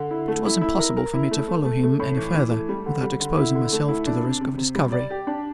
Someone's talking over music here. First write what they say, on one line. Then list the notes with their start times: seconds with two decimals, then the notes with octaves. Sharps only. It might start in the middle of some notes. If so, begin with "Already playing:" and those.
It was impossible for me to follow him any further, without exposing myself to the risk of discovery.
Already playing: D3
0.11 E4
0.28 A3
0.45 E4
0.61 E4
0.79 A#4
0.97 A#4
1.13 E4
1.31 A3
1.48 A3
1.65 A3
1.83 A3
1.99 A2
2.17 E3
2.34 E3
2.51 A3
2.69 G3
2.86 D3
3.03 G3
3.21 D3
3.37 E4
3.55 D3
3.73 A3
3.89 E4
4.07 D4
4.24 C3
4.41 C3
4.57 C3
4.75 G3
4.92 D5
5.10 G4
5.27 D4